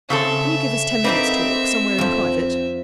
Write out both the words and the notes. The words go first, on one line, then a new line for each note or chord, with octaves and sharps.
Can you give us ten minutes' talk, somewhere in private?
C#3 C4 A4 E5
A#3 C4 D#4 A4 B4
F2 F3